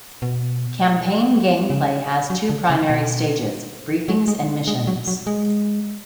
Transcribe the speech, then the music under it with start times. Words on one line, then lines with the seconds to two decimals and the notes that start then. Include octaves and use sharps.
Campaign gameplay has two primary stages, briefings and missions.
0.22 B2
1.70 C#3
2.30 F#3
2.50 D3
2.70 C#3
2.90 B2
4.08 F#3
4.28 G#3
4.67 G#3
4.87 F#3
5.07 F#3
5.27 G#3